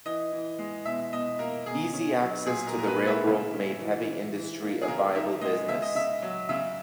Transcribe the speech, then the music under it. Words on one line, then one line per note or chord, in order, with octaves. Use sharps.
Easy access to the railroad made heavy industry a viable business.
E3 D#5
E3
G#3
B2 E5
B2 D#5
A#3 A#4
B2 G#4
C#4
F#3
A#2 G#4
A#4
A#2
A#4
B4
A#3
E5
C#3
C#4
E3
E3
E3
A#3
G#4
C#3 A#4
D#4 E5
G#3 D#5
C#3 E5
D#5
C#3 E5
F#3
C#3 E5